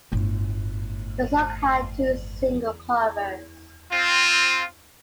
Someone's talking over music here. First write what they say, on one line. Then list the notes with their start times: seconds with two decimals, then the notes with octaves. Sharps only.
The song had two single covers.
0.12 G1 A2
3.92 C4 F4